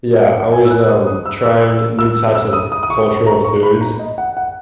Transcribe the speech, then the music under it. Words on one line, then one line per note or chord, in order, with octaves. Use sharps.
yeah, always, um, trying new types of cultural foods.
D#5
E5
G#5
E6
F#6
D#6
D#6
E6
E6
E6
E6
E6
D#6
D#6
D#6
C#6
C#6
A#5
C#6
B5
A#5
D#5
F#5
F#5